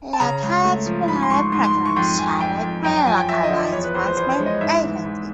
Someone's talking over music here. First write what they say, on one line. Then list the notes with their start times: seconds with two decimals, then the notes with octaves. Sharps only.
Local Explorer programs chartered by a local law enforcement agency.
0.13 A5
0.20 C#3 A#5
0.42 C#2
0.64 A3
0.86 F3
1.08 G#2 B5
1.23 C6
1.30 G#2 C#6
1.52 G#2 C6
1.64 C6
1.74 G#2
1.85 C#6
1.96 F2 C6
2.18 F2 G#5
2.40 F2 G5
2.63 F2
2.84 F#2 G5
2.96 G5
3.07 F3 G#5
3.18 G5
3.28 F3 E5
3.43 D#5
3.50 F3
3.58 D5
3.72 E2 C#5
3.84 B4
3.95 E2 C5
4.06 C5
4.17 E2 C5
4.32 C#5
4.39 G#3
4.46 D#5
4.61 G#2 E5
4.83 E3
5.05 G#2